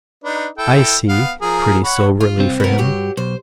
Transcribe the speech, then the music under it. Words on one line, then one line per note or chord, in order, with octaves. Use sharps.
"I see," pretty soberly, for him.
D4 D#4 B4
E4 A4 G5
B3 F5
F3 G#4 A#4
C#5 F#5 B5
F4
C2 C4
B3 A#4
G2 F#3 G4
B1 C5